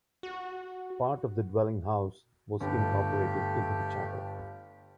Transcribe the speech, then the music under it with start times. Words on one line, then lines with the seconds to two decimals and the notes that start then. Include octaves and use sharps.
Part of the dwelling house was incorporated into the chapel.
0.23 F#4
2.61 G1 A3 G4